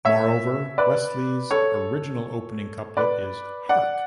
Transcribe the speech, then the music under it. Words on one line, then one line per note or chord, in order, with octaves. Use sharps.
Moreover, Wesley's original opening couplet is Hark!
C#5 E5
B4 D5
A4 C#5
B4 D5
D5 F#5